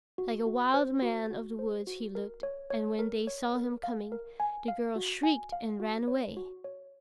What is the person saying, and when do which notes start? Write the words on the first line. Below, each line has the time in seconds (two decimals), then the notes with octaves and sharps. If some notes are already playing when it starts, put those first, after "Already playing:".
Like a wild man of the woods he looked, and when they saw him coming the girls shrieked and ran away.
0.18 F#4
0.46 F#4
0.74 C5
1.02 F#4
1.31 F#4
1.59 C5
1.87 F#4
2.15 A#4
2.43 C#5
2.70 C#5
2.99 A#4
3.27 C#5
3.55 A#4
3.84 F5
4.12 A#4
4.40 G#5
4.68 F5
4.96 F#4
5.23 G#5
5.52 F5
5.80 F#4
6.08 C#5
6.37 F#4
6.64 C#5